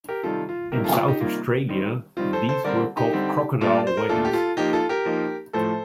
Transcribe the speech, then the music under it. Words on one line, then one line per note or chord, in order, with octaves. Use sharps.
In South Australia, these were called crocodile wagons.
G4 A#4
C3 D#3 G3 F4 A4
F4
C3 D#3 G3 A#3 G4 A#4
F4 A4
F4
D#4 G4
C3 D#3 G3 A#3 F4
D#3 G3 C4
D#3 G3 C4 F4
A4 C5
A4 C5
D3 G3 C4 A#4 D5
D#4 G4
D3 G3 C4
A#2 A3 D4 F4
D5
C5
A#4
A#2 A3 D4 F4 A4
G4
F4 A4
F3 A#3 D#4 G4
F4 A4
G4 A#4
F3 A#3 D#4
A2 F3 A3 A4 C5